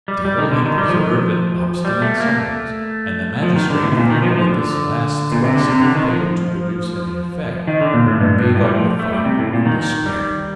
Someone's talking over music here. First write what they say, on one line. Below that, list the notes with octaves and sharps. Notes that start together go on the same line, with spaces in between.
Still, he preserved an obstinate silence; and the magistrate finding that this last thrust had failed to produce any effect, gave up the fight in despair.
G3
G3
D#3
D3
D#3
G3
F3
D#3
F3
G3
A3
A#3
A3
F3
D#3
D3
A2
C3
A#2
D#3
F3
D#3
F3
D3
A#2
C3
D3
C3
D3
D#3
F3
D#3
D3
A#2
A2
G2
G2
A2
G3
F3
A3
G3
C3
A2
A#2
D#3
D#3
G3